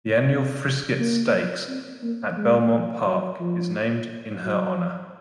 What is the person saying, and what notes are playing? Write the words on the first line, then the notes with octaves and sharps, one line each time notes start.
The annual Frizette Stakes at Belmont Park is named in her honor.
C4
A#3
C4
A#3
G#3
F#3
F3
F#3